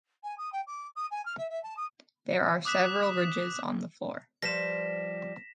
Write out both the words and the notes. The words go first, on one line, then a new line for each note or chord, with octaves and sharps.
There are several ridges on the floor.
G#5
D#6
G5
D6
D#6
G#5
F6
E5
E5
A5
D#6
D6 D#6 F#6 B6 E7
F3 G3 B4 A#6 B6 E7